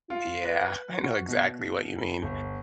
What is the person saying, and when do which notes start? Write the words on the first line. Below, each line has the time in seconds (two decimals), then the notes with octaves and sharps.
Yeah, I know exactly what you mean.
0.10 F4
0.44 B4
1.03 F#4
1.28 B2
2.23 G1